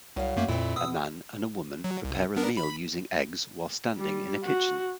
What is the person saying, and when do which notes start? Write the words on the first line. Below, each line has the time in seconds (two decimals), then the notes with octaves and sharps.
A man and a woman prepare a meal using eggs while standing in a kitchen.
0.16 C2 F#3 F5
0.36 F#2 A3 A#3
0.48 F2 A#2 C4 E4
0.76 B2 D#6 E6
1.84 F#3
2.04 C2
2.36 B3 D4 A#4
2.57 B5
3.97 G3
4.45 F#4